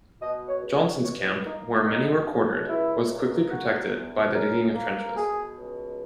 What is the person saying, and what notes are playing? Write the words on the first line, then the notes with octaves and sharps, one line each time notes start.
Johnson's camp, where many were quartered, was quickly protected by the digging of trenches.
B2 D#5
C#5
C#2
C#5
C#2 C#5
E4
A#3 D#4
B2 D#4
C#2
C#2 E4
A#3
B2 F#4
E2
C#4 A#4
A#3
B2 G#4
C#2